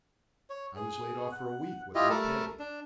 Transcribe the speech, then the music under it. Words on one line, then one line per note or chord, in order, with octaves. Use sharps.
I was laid off for a week, without pay.
C#5
G#4
F#5
E4 F4 G4 D#5
G3 A3 A4 A#4
D4